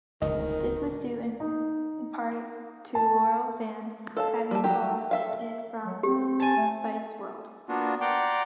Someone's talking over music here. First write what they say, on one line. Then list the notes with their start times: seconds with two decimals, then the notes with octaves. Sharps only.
This was due in part to loyal fans having followed it from Spike's World.
0.22 D1 C#2 D#3 D#5
1.40 D#4
2.95 A5
4.17 A4 F5 A5
4.51 G3 A5
4.64 F#3 F#4 G4
5.11 A4 E5 F5
5.86 F#3
6.03 C4 G4
6.40 G#5 A5
6.57 A3
7.69 A#3 B3 D4 F4 F#4
8.01 D5 F#5 G5 A#5 C6 D6